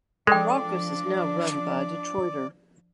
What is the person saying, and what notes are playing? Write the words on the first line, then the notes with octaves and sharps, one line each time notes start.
Rawkus is now run by a Detroiter.
F3 G#3 D4 A4 D5 G5